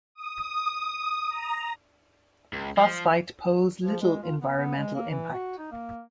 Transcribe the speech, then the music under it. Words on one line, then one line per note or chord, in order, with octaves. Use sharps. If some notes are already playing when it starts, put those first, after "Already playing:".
Phosphite pose little environmental impact.
D#6
A#5
C#2
F3
F3
G#3
F4
B3
B3
G#3
A#3
E3
F#4
D#4
A#3